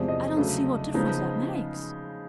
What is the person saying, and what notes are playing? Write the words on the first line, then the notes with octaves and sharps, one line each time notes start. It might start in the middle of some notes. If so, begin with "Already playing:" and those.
"I don't see what difference that makes."
Already playing: E2 C3 F3 G#3 D5
D#5
C#3 F#3 A3 D4
C#3 F3 G#3 B3 D#4